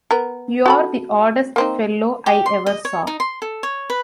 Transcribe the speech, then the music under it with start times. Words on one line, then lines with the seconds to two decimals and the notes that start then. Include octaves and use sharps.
You're the oddest fellow I ever saw.
0.11 B3 A#4
0.66 F#4 A4 B5
1.56 A#3 C4 D#4
2.26 G4
2.46 C6
2.66 D#5
2.85 C#5
3.07 D#4
3.20 C6
3.42 A4
3.63 C#5
3.90 B4